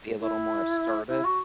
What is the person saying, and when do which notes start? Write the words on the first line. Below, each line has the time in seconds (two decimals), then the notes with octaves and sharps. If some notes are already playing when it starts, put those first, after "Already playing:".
Be a little more assertive
0.19 E4
1.08 E4
1.24 F#4